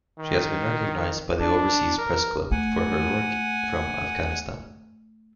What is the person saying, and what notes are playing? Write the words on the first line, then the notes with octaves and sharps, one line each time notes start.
She has been recognized by the Overseas Press Club for her work from Afghanistan.
D#3
D4
A#4
A3 F#5 G#5